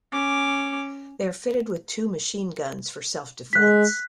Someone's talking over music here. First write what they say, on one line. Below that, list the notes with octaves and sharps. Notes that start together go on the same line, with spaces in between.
They are fitted with two machine guns for self-defence.
C#4 D6
G#3 F#6 B6